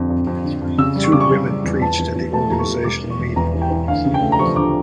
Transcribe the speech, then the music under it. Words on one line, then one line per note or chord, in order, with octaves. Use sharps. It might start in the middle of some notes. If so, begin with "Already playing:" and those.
Two women preached at the organizational meeting.
Already playing: F2 D3
F2
F2
D3
F2
C#3 E6
G3
C#6
C#3 D6
C#6
G3
G3
E2
E2 A5
E2
E2
A3 A5
A5
E2 A#5
C#6
E2
E1 D6
E3
C#6
E1
E2 A#5
E3
G5
E3
D2 F5
C#3
G5
A3
A#5
F3 C#6
D2 D6